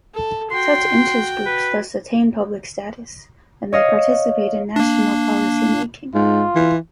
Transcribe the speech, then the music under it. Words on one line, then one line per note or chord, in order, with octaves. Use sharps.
Such interest groups thus attain public status, and they participate in national policymaking.
A4
F#4 G5 C6
B4
C#5 D#5 F5
A#3 D4
G#2 F4
E3